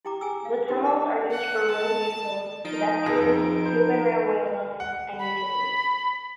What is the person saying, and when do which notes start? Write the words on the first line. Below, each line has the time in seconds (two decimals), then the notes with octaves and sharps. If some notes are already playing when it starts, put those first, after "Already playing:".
The tunnels are used for road vehicles, pedestrians, Tube and railway lines and utilities.
0.05 E4 G4 G5 A#5 D6
0.21 G#4 G#5 D6 E6
0.45 F5
0.68 C#4 D#4 E4 G4 C5 G5
0.83 A#4 C5 D#5 F#5
1.31 F#5
1.70 A5
2.64 F3 D#4 D7
3.06 F1 F2 G#4 A#6
3.65 B4 C5
4.80 F#5
5.19 B5